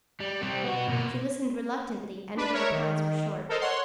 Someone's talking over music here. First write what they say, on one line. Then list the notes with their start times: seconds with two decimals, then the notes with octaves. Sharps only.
She listened reluctantly, and her replies were short.
0.21 G3
0.42 G3 C4
0.64 B3 F#4
0.88 B2 A#3
2.37 D4 B4
2.53 A#4 C#5 E5
2.71 D#3
3.49 A4 A#4 C5 D#5
3.61 C#5 F#5 C6